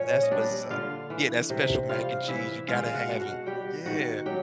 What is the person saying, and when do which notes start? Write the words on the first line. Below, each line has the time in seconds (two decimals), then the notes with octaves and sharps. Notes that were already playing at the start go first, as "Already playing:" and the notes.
That's was, uh Yeah, that special mac and cheese, you gotta have it. Yeah,
Already playing: A#2 F3 C#4 C#5
0.22 D#5
0.31 G3 D4 D5
0.70 D3 F4 F5
1.10 E3
1.50 C3
1.89 G3 F4 F5
2.28 E3 E4 E5
2.68 G#3 F4 F5
2.87 F5
2.94 F#4 F#5
3.08 B2
3.21 F#4 F#5
3.46 G3 G4 G5
3.86 D#3 F#4 F#5
4.26 F#3 G4 G5